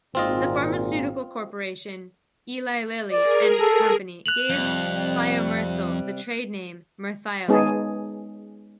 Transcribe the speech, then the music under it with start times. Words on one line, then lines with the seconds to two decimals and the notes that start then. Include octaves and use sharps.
The pharmaceutical corporation Eli Lilly and Company gave thiomersal the trade name Merthiolate.
0.15 G#1 A#2 C4 F4 D#5
3.12 G#4 A#4 D5
3.60 A4
4.26 F#6 F7 F#7
4.50 F2 C3 G3
7.48 G#3 B3 C#4 D#4 G#4 A5